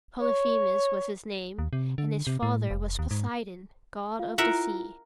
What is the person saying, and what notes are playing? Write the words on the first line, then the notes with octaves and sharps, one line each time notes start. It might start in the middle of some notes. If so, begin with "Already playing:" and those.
Polyphemus was his name, and his father was Poseidon, god of the sea.
C#5
D#2
C3
D3
C3
A2
F1
D#2
G#2
F4 F5
E4 F4 A#4 E5 F#5